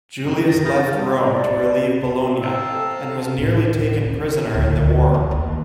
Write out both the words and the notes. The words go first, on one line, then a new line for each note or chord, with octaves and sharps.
Julius left Rome to relieve Bologna, and was nearly taken prisoner in the war.
F#2 B2 D3 D#3 D#4
D#3 A6 A#6
B5 D#6 F6 G6 A6 A#6
G3
D5
C4 F5 A5 A#5 E6
A4
A2
B2
D2
D2
E2
D#2